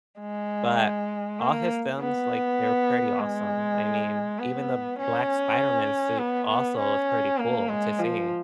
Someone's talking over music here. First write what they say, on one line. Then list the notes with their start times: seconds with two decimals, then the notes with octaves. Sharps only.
But all his films, like, they're pretty awesome. I mean, even the black Spider-Man suit also is pretty cool to see.
0.20 G#3
1.39 A#3
2.00 B3
3.19 G#3
4.39 B3
4.99 C#4
6.18 B3
6.48 B3
6.79 C#4
7.38 A#3
7.69 G#3
7.99 F3